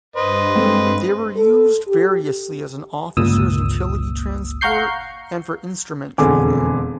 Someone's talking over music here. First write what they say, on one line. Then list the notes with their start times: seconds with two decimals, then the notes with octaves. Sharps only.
They were used variously as an officer's utility transport and for instrument training.
0.16 G2 B4 C5 D#5
0.55 G#3 C4 A4
1.37 A4
1.88 G4
3.17 G1 C#2 A#2 D#6 E6
4.61 F5 F#5 A#5 C#6 G6 C7
6.18 E1 F2 D3 G#4 G#5 D6